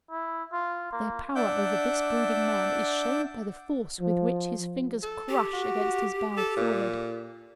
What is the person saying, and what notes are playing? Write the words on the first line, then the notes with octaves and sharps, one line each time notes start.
Their power over this brooding man is shown by the force with which his fingers crush against his bowed forehead.
E4
F4
A#3
D4 E5 F#5 D6 G6
F3
A4
G4
F#4
A4
A#2